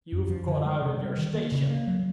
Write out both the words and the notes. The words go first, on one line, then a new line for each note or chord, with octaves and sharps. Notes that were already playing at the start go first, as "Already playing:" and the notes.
You've got out of your station.
F#2
F3
D3
G#3
C3
G3
D#3
A#3
C#3
A#3
F#3